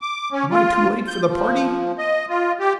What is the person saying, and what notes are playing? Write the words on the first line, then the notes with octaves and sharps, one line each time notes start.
"Am I too late for the party?"
D6
C#4
F4
G6
F3
D#5
F4
G4